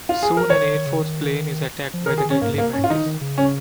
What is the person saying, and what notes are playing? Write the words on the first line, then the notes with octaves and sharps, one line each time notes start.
Soon an Air Force plane is attacked by the deadly mantis.
F4
G#4
F3 A#4
D#3 C#5
D#3
C#3
D#3
F3
A#4
D#3
G#4
D#3 C#4
G#2 A#3
G#2
A#3
C#4
G#2
F4
D#3 D#4
D#3
C#3
C#4